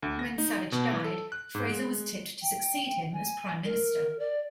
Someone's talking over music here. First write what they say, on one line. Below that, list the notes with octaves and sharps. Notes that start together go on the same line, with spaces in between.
When Savage died, Fraser was tipped to succeed him as Prime Minister.
D2
A#6
D#4
B2
E3
A4
F#6
G#2
G#3
G5
G#5
A#4
D5